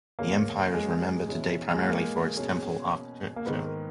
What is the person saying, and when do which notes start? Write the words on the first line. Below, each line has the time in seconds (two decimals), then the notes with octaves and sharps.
The empire is remembered today primarily for its temple architecture.
0.19 E2 C#3 G#3 A#3 C#4
0.74 G#3
1.28 E2 B2 G#3 C#4 E4
1.74 G#3
1.83 A#3
2.37 B2 A#3 C#4 G#4
3.36 A#3
3.46 G#2 D#3 G#3 B3
3.65 A#4